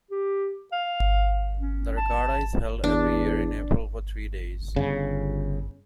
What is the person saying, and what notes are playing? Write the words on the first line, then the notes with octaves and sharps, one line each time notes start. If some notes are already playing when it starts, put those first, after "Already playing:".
The regatta is held every year in April for three days.
G4
F5
C#4
A5
E2 D4
G1 C#3